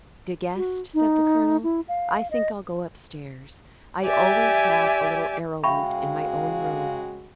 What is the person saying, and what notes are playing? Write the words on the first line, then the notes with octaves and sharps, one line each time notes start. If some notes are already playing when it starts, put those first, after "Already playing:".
"De Guest," said the colonel, "I think I'll go upstairs; I always have a little arrowroot in my own room."
F#4
D#4
E4
F5
D#5
G4 D5 E5 G#5
C#3 G#3 F#4 E5 F5 G5 B5 C#6